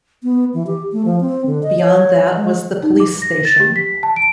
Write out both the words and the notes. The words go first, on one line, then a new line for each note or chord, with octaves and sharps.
Beyond that was the police station.
B3
E3
G4
A3
F3
C4
D3
D#5
C#5
G#3
D#4
D6
A#6
A6
G4
B6
A5
D7